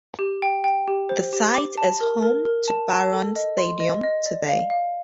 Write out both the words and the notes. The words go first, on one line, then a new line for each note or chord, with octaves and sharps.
The site is home to Barron Stadium today.
G4
G5
G5
G4
C5
G4
D6
A5
A#4
A#4
A#4
A5
A5
A4
D#5
C6
D#5
D#5
D5
F5
F5